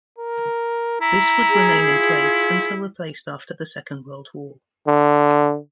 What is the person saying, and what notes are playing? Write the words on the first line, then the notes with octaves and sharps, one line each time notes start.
This would remain in place until replaced after the second world war.
A#4
E4 A#5
G#4
F4
D3